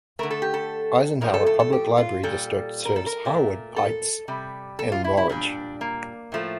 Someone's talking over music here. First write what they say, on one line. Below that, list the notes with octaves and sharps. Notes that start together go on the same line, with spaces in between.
Eisenhower Public Library District serves Harwood Heights and Norridge.
D3 A3 A#4
A4
G4
A4
A2 F3 A3 A#4
A4
A4
A4
G4
F4
A#2 G3 A4
A#4
A4
A#4
A#2 A3
A4
C3 G3
A4
F4
E4
E4
A#2 G3 D4
A#3
A2 F3 A3